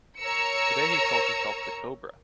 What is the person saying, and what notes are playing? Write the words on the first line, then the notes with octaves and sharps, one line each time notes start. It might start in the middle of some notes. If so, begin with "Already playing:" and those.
Today he calls himself "The Cobra".
A#4 C#5 A#5 E6 C#7